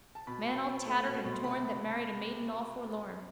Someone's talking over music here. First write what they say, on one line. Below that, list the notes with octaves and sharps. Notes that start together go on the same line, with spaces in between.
Man all tattered and torn that married a maiden all forlorn.
A5
B2 B5
B2
C4
A3
B2
B2
C6
C3 B5